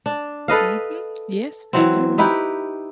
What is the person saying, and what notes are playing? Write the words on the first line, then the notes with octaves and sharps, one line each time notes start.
Mhm. Yes, I never.
D4
A4 B4 D#5 F5
E3 F#3 C4
D#4 E4 G4 B4